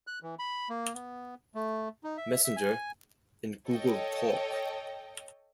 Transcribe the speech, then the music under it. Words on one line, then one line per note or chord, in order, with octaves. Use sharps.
Messenger, and Google Talk.
F#6
E3
B5
A#3
B3
A3
D#4
E5
E5
G#5
A4 C#5 D#5 G5